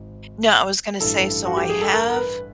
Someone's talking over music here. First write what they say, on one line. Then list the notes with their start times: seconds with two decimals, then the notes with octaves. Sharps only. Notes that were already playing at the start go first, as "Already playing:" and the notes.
No, I was gonna say, so I have
Already playing: G#1 G#2
1.00 A1 G2 E3 A4
1.46 F#4
1.57 G4
1.69 G#4
1.81 A4
1.94 A#4
2.10 A#4
2.16 B4